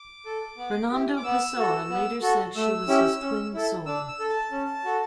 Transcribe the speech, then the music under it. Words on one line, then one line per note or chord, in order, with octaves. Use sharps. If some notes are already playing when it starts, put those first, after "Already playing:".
Fernando Pessoa later said she was his "twin soul".
Already playing: D6
A4
B3
E4 G4
D6
B3 E6
F#4 A4
B3
F#4 A4
A3 E6
C#4 E4 G4
C#4
E4 A4
D4 E6
E6
A4
A5
C#4
F#4 A4